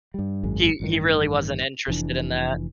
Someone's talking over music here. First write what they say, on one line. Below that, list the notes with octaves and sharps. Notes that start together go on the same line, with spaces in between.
he he really wasn't interested in that.
G2 G3
G#1 F#2 G#3
A1 G2 D#3
F1 E3 D4